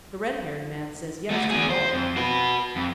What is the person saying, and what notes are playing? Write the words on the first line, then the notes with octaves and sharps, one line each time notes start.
The red-haired man says yes to it all.
A3 F#4
E2 G#4
C5
F2
F#4 B4
F2